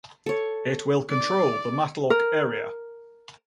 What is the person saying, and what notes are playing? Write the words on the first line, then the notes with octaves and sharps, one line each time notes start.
It will control the Matlock area.
A4 C#5
D5
A#4